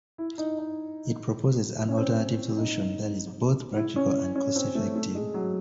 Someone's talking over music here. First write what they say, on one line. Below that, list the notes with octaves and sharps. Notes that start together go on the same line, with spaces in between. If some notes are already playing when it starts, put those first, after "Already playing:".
It proposes an alternative solution that is both practical and cost effective.
E4
D#4
D#4
C#4
C4
D#4
E4
C#4
C#4
C4
A3
A3
G#3
F#3